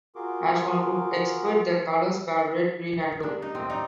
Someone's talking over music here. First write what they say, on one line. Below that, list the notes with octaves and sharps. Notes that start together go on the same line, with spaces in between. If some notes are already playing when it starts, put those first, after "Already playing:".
As one would expect, the colors were red, green, and blue.
F4 F#4 G#4 A#4 C6 D6
G3 G#3 A#3 D4
D#4
D#2 A2 C4
D#4 D5 A#5 D6